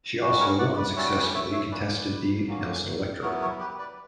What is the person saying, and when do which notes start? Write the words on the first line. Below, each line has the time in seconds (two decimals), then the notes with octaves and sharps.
She also unsuccessfully contested the Nelson electorate.
0.21 G3 C#4 F#4 G4
0.40 A#4 C#5
0.59 D5 F#5
0.77 B4 D5
0.96 G3 C#4 F#4 C#5 E5
1.15 B4 D5
1.34 C#5 E5
1.53 C#5 E5
1.72 F#3 A#3 C#4 B4 D5
2.47 F#3 A#3 C#4
3.22 F#3 B3 E4 A#4 C#5
3.41 A#4 C#5
3.60 G4 B4
3.79 B4 D5